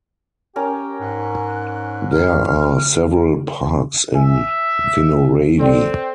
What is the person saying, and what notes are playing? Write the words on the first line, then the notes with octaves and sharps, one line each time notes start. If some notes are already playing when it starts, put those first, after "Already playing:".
There are several parks in Vinohrady.
C#4 G4 A#4
G#2 F#6
F6
E5 G#5
C4 A4 D5 G5